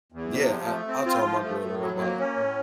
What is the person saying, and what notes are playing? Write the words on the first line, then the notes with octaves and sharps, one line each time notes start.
Yeah, I I taught my daughter about
E2
C3
F3
A3
C4
F4
F3
A3
A2
F#3
A#3
C#4
A2